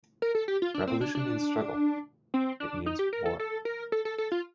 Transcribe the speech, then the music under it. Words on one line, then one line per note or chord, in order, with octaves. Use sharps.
Revolution means struggle: it means war.
A#4
A4
G4
F4
D4
C4
D4
D4
C4
D4
D#4
G4
A#4
A4
A4
A#4
A4
A4
A4
F4